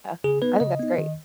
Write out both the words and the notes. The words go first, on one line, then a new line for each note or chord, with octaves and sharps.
Uh I think that's great.
C#3 G#4
B3 D#4 B4
C#3 D#5
B3 D#4
D#3